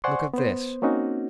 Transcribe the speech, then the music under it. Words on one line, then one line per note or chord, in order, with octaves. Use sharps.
"Look at this!"
C5 D5 F#5 G#5 C6 C#6
B3 C5
A#3 C4 C#4 D#4 F#4